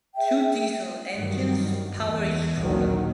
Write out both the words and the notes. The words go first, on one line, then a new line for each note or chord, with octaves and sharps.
Two diesel engines power each crawler.
G#4 E5 G5
G2 D#3 F#3 G3
E2
A#1 D#2 D#3 F#3 A#3